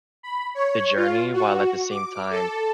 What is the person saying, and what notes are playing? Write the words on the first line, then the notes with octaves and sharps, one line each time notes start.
the journey while at the same time,
B5
C#5
F4
F#4
D6
A4